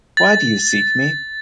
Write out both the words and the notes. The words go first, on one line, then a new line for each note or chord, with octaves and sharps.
Why do you seek me?
A6